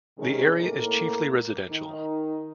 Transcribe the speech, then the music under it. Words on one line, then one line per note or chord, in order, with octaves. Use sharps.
The area is chiefly residential.
C3 D#3 G#3 C#4 G#4
A2 A#3 A4 A#4
D#3 D#4